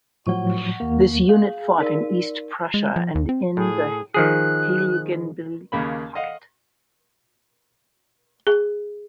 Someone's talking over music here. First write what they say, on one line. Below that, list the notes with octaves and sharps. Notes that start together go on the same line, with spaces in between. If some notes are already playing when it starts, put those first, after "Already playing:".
This unit fought in East Prussia and in the Heiligenbeil Pocket.
A2 F3 F#3 F#5 C#6
D#2 A#3
G#4 F5
D#4 A#4 D5
G#3
F3
D#2
C4
A2 G#4
D#3 F3 G#4 F#6
D#2 C#3 A#3 B5
D#5 F5 F#5
G#4